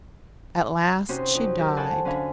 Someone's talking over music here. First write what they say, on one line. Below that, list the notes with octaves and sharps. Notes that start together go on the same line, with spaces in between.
At last she died.
C3 C#4 D#4 F#4 C6
F2 D#4 D5
F#3 G4 A#4
A4 C5 D5 F#5 G#5 A5
D3 C#4 D4 F5 G#5 B5